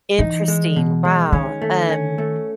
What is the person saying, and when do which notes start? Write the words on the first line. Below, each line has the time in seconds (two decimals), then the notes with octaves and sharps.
Interesting. Wow, um
0.19 E3 D#4
0.48 G#3
0.76 B2
1.05 G#3
1.33 D#3 C#4
1.62 A3
1.89 C#4
2.18 A3